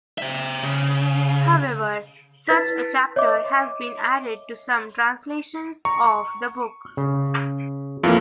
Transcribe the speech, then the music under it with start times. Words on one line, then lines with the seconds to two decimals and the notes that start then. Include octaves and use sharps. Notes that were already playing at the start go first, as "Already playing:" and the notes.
However, such a chapter has been added to some translations of the book.
0.18 C5 E5
0.63 C#3
2.47 E4 B4 A6 B6
3.16 C#5 D#5 E5 D6
5.85 A#5 C#6
6.97 C#3
8.03 F2 E3 A#3 F4